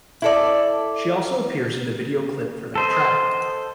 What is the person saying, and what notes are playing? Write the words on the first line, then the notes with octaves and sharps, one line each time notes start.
She also appears in the video clip for that track.
E4 A4 D5
A4 C5 D#5